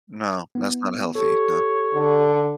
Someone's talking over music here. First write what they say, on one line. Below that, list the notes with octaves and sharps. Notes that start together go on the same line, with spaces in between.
No, that's not healthy, no.
B3 E4
G4 A4 C#5
D3